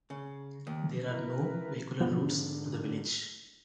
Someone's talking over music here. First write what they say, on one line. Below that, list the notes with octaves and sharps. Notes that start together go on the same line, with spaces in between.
There are no vehicular routes to the village.
C#3
D#2
E4 A#4 B4
G#2 D3 F3 B3